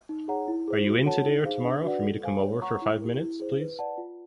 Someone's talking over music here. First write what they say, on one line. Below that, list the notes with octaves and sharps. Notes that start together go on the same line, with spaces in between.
Are you in today or tomorrow for me to come over for five minutes please?
D#4
G#4 C#5 F#5 A#5
E4
G#4 C5
F#4
A4 C#5 F#5 A5
D#4
G#4 C5 F5
D4
F#4 B4 D5 F#5
A4
C5 F5 G#5
C#5
F#5 A#5 C#6
E4
G4 A#4
E4
G#4 C5
B4
D5 F#5 A5
F4